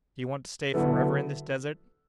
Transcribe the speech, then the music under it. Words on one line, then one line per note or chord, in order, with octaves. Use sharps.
"Do you want to stay forever in this desert?"
D3 F#3 B3 E4 A4